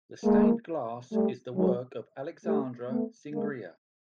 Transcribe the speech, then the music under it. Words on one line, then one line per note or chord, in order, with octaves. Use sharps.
The stained glass is the work of Alexandre Cingria.
G#3 A#3
G3 A3
F#3 G#3
G3 A3
A3 B3
G#3 A#3